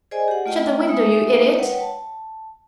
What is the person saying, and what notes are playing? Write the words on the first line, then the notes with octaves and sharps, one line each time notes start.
Shut the window, you idiot!
G#4 C5 D5 D#5 G#5
G4 F#5
A3 F4 D#5 G5
G#3 D#4 E5 D#6
B4 C#5 F#5 G5
A5